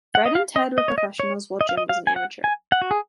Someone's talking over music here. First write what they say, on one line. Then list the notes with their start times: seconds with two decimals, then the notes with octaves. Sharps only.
Fred and Ted were professionals while Jim was an amateur.
0.15 F#5
0.26 D#5
0.35 F5
0.56 D#5
0.78 D#5
0.88 C#5
0.98 D#5
1.20 C#5
1.61 D#5
1.69 F5
1.77 D#5
1.89 F5
2.07 G#5
2.16 F#5
2.44 G#5
2.72 F#5
2.82 F#4
2.91 G#4